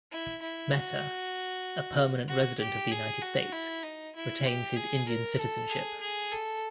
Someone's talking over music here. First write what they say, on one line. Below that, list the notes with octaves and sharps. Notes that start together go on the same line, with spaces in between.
Mehta, a permanent resident of the United States, retains his Indian citizenship.
E4
E4
F#4
F#4
G4
G#4
F#4
E4
D#4
E4
G4
G#4
A#4
A4
G#4
G#4
A4